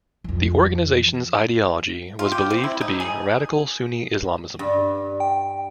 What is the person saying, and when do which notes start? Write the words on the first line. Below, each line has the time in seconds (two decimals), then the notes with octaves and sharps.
The organization's ideology was believed to be radical Sunni Islamism.
0.24 F2 E3
2.19 F4
2.32 G4
2.51 C4
2.64 E4
2.81 D#4
3.00 G#4
4.59 G2
5.20 G5